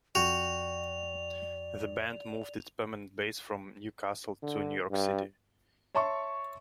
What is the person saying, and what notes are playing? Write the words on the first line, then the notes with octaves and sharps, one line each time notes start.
The band moved its permanent base from Newcastle to New York City.
F2 F#4 D5 G5 F7
D3
G2
C#5 E5 A5 C6 C#6